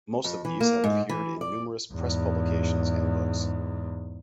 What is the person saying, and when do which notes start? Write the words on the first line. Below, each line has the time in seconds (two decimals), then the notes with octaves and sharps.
Most of these have appeared in numerous press publications and books.
0.24 F2
0.45 E3
0.61 A#3
0.84 G#2
1.09 E3
1.41 D5
1.93 E2 G#2